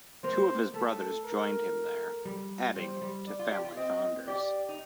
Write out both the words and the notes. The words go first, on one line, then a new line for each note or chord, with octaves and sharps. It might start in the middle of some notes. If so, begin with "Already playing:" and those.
Two of his brothers joined him there, adding to family founders.
A#3 C5
A3 A4
A#4
G3
G3 C5
G3
D5
F4
G4
F4
C4 D#5
G4 D5
D#4